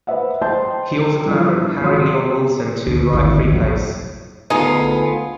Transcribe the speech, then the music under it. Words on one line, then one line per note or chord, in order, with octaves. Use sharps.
He also collaborated with Harry Leon Wilson to write three plays.
B4 C5 E5 F#5
C5 D#5 G5 A5 C6 G6
G2 E3 F3
G#1 F#3 F4 C#5 C6 D#6
D2
G#1 D2 D#3 E3
A#1 F2 C3 F#3
D2 B3 D#4 F4 G#4